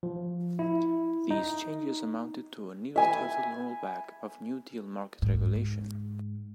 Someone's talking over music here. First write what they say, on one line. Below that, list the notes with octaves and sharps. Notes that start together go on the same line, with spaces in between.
These changes amounted to a near-total rollback of New Deal market regulation.
F3
E4
D#4
E5 G#5 B5
G#2